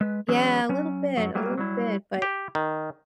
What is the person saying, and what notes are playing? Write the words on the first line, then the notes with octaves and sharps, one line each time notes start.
Yeah, a little bit, a little bit, but but
G#3 B4
E3 F#3 G#3 C#4
F#3 C#4
F#2 A#2 F#3
F#3 G3 A#3 F4
F#3 G3 E4
G4
D#3